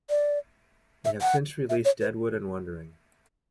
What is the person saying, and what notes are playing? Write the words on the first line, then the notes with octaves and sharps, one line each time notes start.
They have since released "Deadwood" and "Wondering".
D5
E5
F#5
E5
C#5
B4